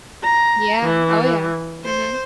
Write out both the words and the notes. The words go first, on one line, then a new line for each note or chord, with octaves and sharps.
Yeah. Oh, yeah. Mhm.
A#5
E3
C5